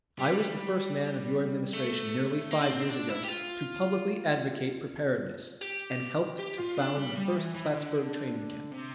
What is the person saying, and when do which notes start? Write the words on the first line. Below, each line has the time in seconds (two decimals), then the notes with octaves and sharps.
I was the first man of your Administration, nearly five years ago, to publicly advocate preparedness, and helped to found the first Plattsburg training camp.
0.19 G3
1.73 A3
2.51 A#3
2.61 D4
2.70 C4
2.90 D4
3.09 E4
3.23 G4
3.28 F4
5.61 G4
6.39 G4
6.58 F4
6.78 D4
6.97 G3
7.17 G3
7.36 E3
7.55 E3
7.74 D3
8.72 C3